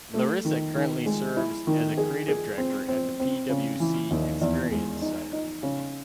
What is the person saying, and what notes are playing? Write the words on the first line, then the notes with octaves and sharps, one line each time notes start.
Larissa currently serves as a Creative Director at the PwC Experience Center.
A3
D#3
D#3
G#3
E4
D#3
G#4
G#4
C4
C4
C4
C#3
E3
D#2
E2
G#3
D#4
D#4
C#3